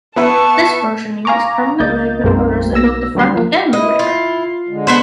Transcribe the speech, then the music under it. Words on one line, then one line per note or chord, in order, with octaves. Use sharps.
This version uses permanent magnet motors in both the front and the rear.
B3 E4 B4 A5 C#6
F5 G#5 A#5 C#6 D6
C#2 A#3 D#5 G6 A6
B1 F#2 G#3 A#3 C4 C5
B1 B3 E6 A#6
D2 F#3 G3 C6
F3 A#3
E4 D#5
F4
D3 G#3
B3 B4 C5